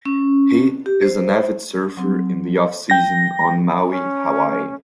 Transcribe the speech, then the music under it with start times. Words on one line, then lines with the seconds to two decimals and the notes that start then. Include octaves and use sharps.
He is an avid surfer in the off season on Maui, Hawaii.
0.05 C#4
0.86 G4
1.02 C5
1.97 F#3 C4
2.90 G5 A#6
3.89 C#4